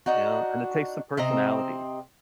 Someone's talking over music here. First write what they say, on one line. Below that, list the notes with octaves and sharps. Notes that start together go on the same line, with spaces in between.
you know? And it takes some personality.
D4 D#4 F#4
C3 C4 D#5 A#5